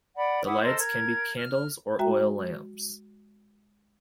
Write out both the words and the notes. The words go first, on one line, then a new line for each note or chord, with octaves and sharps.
The lights can be candles or oil lamps.
D5 F#5 B5
E4 F#5 D6 D#6
A4 A#4 C5 D#5
A#4 G#6
F6
G#3 F#4 E5 G5 A#5